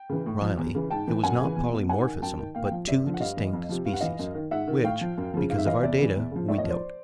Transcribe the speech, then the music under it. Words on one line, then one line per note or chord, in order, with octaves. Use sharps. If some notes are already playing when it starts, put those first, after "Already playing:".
Riley, it was not polymorphism, "but two distinct species"--which, because of our data, we doubt.
Already playing: G5
C#3 E3
A2
F3
E2
C#3 E3
G#2 G5 A5
E3
F#2 F#5 G#5
C#3 E3
E2
B2
G#2 F#5 G#5
D#3
F#2 G5 A5
D#3
A#2 F5 G5
F5 G5
F3
G2 D5 E5
D3 F3
F#5
G2 D#5 F5
E3
F2
C3 F3
G2 F5
F#5
E3 D#5 F5
F#2
D#3
G#2 E5 F#5
D#3
A2 F5 G5
F3
F#2
C#3 F3
G#2 F5
E5
E3 D#5 F5
E2 D5 E5
C#3 E3
E2
C#3 F3
A2 D5 E5
C#5 D#5
F3
C5 D5